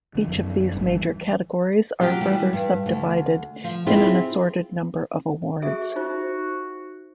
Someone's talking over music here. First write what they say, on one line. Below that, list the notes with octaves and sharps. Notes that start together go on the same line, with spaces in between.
Each of these major categories are further sub-divided in an assorted number of awards.
D3 F3
F#2 D#3
G#1 D2 G3
E3
F#3 F4 G4
E3 G3
G2
D2
F3
C4 E4 F4 G#4 C5
F#4 G#4 A4 E5
D#4 F4 F#4 C5